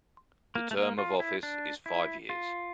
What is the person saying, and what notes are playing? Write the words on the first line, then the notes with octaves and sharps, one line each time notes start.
The term of office is five years.
A#3
A3
A#3
F4
E4
D4
E4
F4